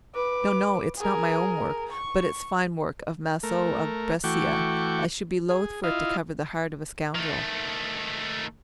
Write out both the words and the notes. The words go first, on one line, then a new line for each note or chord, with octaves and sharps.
No, no; it's not my own work; but it's fine work of Maso of Brescia; I should be loth for it to cover the heart of a scoundrel.
B4 D6
G#4 A#4
C#6
A3 A#4
E3 A3 F#4 G5 C#6 D6
G#4
E4 F4 D#5 F5
D#3 A3